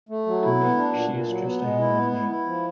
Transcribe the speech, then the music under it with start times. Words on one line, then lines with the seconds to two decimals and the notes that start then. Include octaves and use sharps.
To me, she's just a human being.
0.09 A3
0.26 F#3
0.42 E4
0.60 B3
0.77 D4
0.94 A#2
1.11 A#2
1.27 F#3
1.45 B3
1.61 G#3
1.79 E4
1.95 B3
2.11 E4
2.29 E4
2.45 F3